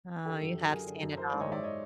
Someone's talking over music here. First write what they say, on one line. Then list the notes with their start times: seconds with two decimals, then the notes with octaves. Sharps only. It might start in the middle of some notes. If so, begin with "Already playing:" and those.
Oh, you have seen it all.
0.25 D3 G4 A4
0.41 F#2
0.56 F#3
0.71 F#2 G#4 A#4
0.86 D3
1.02 F#2
1.17 E3 A#4 C5
1.29 C5 D5
1.33 G#2
1.40 C#5 D#5
1.48 G#3 D5 E5
1.63 C#5 D#5